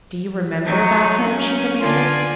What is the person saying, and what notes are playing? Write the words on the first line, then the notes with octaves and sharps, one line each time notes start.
"Do you remember about him?" she demanded.
F#3 D#4
C#4
D3 F4 D5 G#5